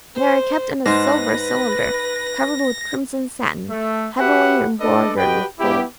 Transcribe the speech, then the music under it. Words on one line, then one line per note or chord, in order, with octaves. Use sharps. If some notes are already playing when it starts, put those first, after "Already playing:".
They are kept in a silver cylinder, covered with crimson satin, heavily embroidered with gold.
C5
G#2 D#4 B4 C5 A#6
A3
F#4 G4 B4 E5 F#5
A3 D4 A4 B4 D5 D#5
F#4 G4 B4 D#5 G5
B3 E4 G4